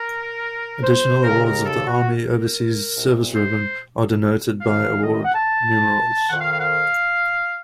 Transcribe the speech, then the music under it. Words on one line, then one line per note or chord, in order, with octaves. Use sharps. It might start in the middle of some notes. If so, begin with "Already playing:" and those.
Additional awards of the Army Overseas Service Ribbon are denoted by award numerals.
Already playing: A#4
C5
D#2 C#3 A#4
A#4
A4
F#4
A#4
C2 A#2
C5
F#2 D#3 F5
D#5
D#5
F#5
A5
F2 D#3 F#5
F5
F5
F#5
F5